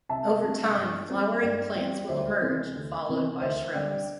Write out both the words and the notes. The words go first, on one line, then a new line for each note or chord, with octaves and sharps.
Over time, flowering plants will emerge, followed by shrubs.
C2 E5 A5
C3 G3 D4
G2
G3 C4
G2 D5 G5
G3 C4 D5 G5
D2 C5 E5
C3 E3 C4
D2
C3 E3 C4
D2 C5 E5
D3 G3 D5 G5